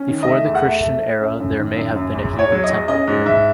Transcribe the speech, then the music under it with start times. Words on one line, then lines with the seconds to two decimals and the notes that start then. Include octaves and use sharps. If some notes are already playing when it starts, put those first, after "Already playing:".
Before the Christian era there may have been a heathen temple here.
Already playing: C#4
0.08 D#3
0.23 D#5
0.27 A3 E5
0.45 E2
0.55 F#5
0.64 A3 E5
0.83 A3
1.02 A3
1.21 C#4
1.40 F#2
1.58 D#3
1.76 F#2
1.96 F#2
2.14 E2
2.33 E2
2.39 C#5
2.52 F#3
2.64 D#5
2.70 E2
2.88 C#4 D#5
3.07 G#2
3.26 G#2 E5